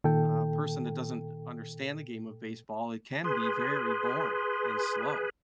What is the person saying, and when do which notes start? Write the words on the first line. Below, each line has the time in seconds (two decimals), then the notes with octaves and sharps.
uh, person that doesn't understand the game of baseball, it can be very boring and slow.
0.04 A#2 D#3 A4 G5
3.24 G#4 B4 C6